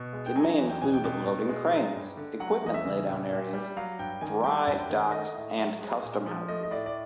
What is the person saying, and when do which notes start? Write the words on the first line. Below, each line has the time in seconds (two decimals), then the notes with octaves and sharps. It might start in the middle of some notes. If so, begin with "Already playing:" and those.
It may include loading cranes, equipment laydown areas, dry docks and custom houses.
Already playing: B2
0.13 G#3
0.26 G5
0.35 F#3 G#5
0.58 E2
0.69 G5
0.81 B2 G#5
0.93 G5
1.04 B2
1.26 B2
1.49 G#3
1.71 F#3
1.95 G2
2.17 D3
2.40 F#3 F#5
2.63 E2 D#5
2.74 E5
2.85 C#3
3.08 A#2
3.31 A#2
3.53 G3
3.77 F#3 F5
3.99 G2 G5
4.21 D#3 G#5
4.44 G3 G5
4.67 F#2
4.79 G5
4.90 D#3
5.12 A3 D#5
5.35 A2
5.58 F#3
5.81 G#3
6.03 A#2
6.26 F3
6.48 A3 D#5
6.63 D#5
6.71 A2 D5
6.86 D5